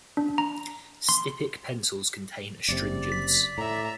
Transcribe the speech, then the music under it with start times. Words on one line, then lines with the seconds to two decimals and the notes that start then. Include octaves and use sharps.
Styptic pencils contain astringents.
0.17 D4
0.38 A#5
1.09 C6
2.68 F#1 C3 D5
3.12 B6
3.58 A2 E5 A#5